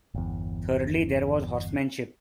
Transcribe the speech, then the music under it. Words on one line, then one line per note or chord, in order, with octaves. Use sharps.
Thirdly there was horsemanship.
G1 E2